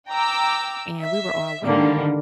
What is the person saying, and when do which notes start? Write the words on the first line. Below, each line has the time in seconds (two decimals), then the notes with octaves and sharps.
and we were all women,
0.10 G5 A#5 D6 E6
1.02 E5
1.65 G#2 D3 D#3 G3 A#3